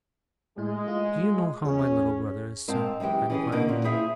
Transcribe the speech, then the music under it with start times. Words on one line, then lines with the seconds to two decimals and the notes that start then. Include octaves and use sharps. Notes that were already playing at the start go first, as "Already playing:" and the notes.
'Do you know how my little brother is, sir?' I inquired.
0.58 A2 G#3 E4
0.87 A3 F4
1.65 E2 C#4 G#4
2.68 G#2 C4 A#4 F5 A5
3.00 F#2 E3 G#3 G4
3.30 E3 C#4 G#4
3.52 B2 D3 A#3 B3 C#4
3.68 A#2 C#4
3.84 E4 G#4 C5 E5 F5